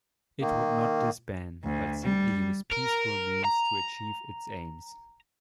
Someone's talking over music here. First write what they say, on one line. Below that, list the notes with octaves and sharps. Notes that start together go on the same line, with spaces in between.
It would not disband, but simply use peaceful means to achieve its aims.
D#3 A#3
D2
G3
A#4
A#5